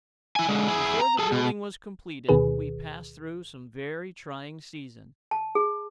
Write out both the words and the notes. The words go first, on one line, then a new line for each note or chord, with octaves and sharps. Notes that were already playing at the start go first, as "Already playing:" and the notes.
Before the building was completed we passed through some very trying seasons.
E4 G#5
D3 G#3
E4 G#4
A#5
G#4 A4
B2
D2 B2 D#3 G#4 B4
A5
G#4